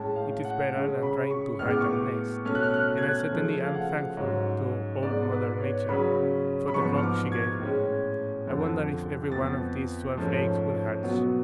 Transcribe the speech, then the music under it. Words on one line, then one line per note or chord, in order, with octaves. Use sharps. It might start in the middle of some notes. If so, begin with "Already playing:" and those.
It is better than trying to hide a nest, and I certainly am thankful to Old Mother Nature for the cloak she gave me. I wonder if every one of these twelve eggs will hatch.
Already playing: A2 G#3 C#4 A5
F5
F#5
C#3 G#3 C#4
B5
C#6
A2 G#3 B3 F6
D6
C#6
D6
B2 A3 C#4 F6
F#6
F6
F#6
G#6
F#6
C#3 F3 A3
F5
F#5
G#2 F#3 C#4 C#5
G#2 G#3 B3 D5
B4
C#5
C#3 F#3 C#4 B5
B5
G#2 F3 B3 C#6
F6
D6
G#6
A2 G#3 C#4
F2 D3 F3
F2 F3 B3 A6
G#2 F3 A3 C#4
B2 F#3 B3